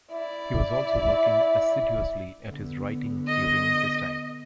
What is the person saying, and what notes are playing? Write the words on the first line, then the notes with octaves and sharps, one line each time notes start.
He was also working assiduously at his writing during this time.
E4 D5
D3 B3
D#5